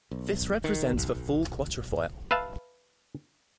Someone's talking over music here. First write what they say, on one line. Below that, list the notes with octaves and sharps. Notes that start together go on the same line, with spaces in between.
This represents the full quatrefoil.
B1
D#3
B1
B4 E5 F5 A5